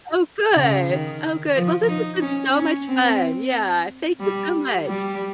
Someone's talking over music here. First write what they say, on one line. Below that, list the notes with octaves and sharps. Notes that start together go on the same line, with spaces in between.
Oh, good. Oh, good. Well, this has been so much fun. Yeah. Thank you so much.
C#3
D#3
F3
D#4
C#4
C#4
C4
G3
G3